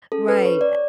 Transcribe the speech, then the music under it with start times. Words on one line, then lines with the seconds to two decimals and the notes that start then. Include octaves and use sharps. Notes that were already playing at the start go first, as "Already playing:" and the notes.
Right, a
0.12 C#4 G#4 A4
0.28 B4
0.45 C#5
0.61 D5